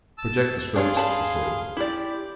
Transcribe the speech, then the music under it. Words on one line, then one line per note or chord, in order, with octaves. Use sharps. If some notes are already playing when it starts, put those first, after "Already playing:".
"Projectoscopes," he said.
A5 E6
D4 G#4 C#5 F5 C6
A5 B5
E4 G4 D5